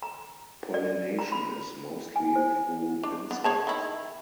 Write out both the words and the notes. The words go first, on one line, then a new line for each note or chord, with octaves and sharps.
Pollination is mostly through insects.
A#5
D5
A#5
B5
G#5
C5
D4
B3
G#4 C#5 A5
D#3 E4